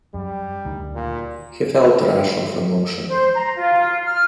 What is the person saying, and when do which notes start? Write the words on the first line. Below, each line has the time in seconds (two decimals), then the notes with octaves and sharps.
He felt a rush of emotion.
0.14 F#2 G3
0.65 D2 D#3
0.95 A#2
3.09 C5
3.34 A#5
3.55 F4
4.05 F6